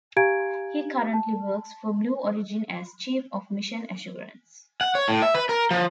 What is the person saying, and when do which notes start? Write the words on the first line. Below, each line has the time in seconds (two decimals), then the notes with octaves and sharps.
He currently works for Blue Origin as chief of mission assurance.
0.17 G4 F5 G#5 A#5 G#6 D7
1.13 A5
4.81 F#5
4.95 C#5
5.08 A2
5.22 E5
5.35 B4
5.49 A#4
5.71 F3